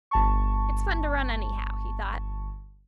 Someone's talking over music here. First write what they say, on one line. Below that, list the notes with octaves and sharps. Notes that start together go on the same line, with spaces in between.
"It's fun to run, anyhow," he thought.
G1 A5 C#6